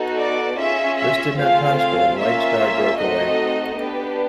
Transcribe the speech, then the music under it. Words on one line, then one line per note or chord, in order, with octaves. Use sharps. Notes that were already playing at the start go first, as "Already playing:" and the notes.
This did not prosper and White Star broke away.
Already playing: B3 D#4 F#4 A4
D5
C#4 F4 G#4 E5
E5
A3 C4 F4 G#4 F5
F5
A#3 C#4 F4 E5
A3 C4 D#4 F#4 A4 D#5
B3 D4 G4 B4